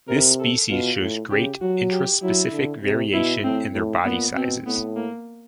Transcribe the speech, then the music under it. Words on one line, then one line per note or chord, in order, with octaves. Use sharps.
This species shows great intraspecific variation in their body sizes.
C3 A#4
A4
B2 F4
A2
C#3 G4
F#3 F#4
G4
F#3 E4
D3
C3
B2 E4
A2 C4
A2
A#2 B3
B2 C4
A2 B3
A#3